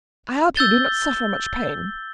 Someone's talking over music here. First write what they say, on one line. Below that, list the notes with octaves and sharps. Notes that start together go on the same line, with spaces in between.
"I hope you do not suffer much pain!"
E6 G6 A6 G7